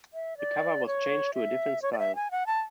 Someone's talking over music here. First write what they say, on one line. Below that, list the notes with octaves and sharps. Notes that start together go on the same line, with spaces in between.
The cover was changed to a different style.
E5
D5
C#5
E5
C#5
D5
E5
G#5
F#5
A5